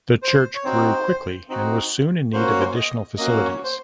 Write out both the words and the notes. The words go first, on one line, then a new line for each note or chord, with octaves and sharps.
The church grew quickly and was soon in need of additional facilities.
C5
C#5
C4 D#4 F#4 C5
C4 D#4 F#4
A#3 C#4 F#4 C5
C#5
C5
D#5
A#3 C#4 F#4 D#5
C#5
C5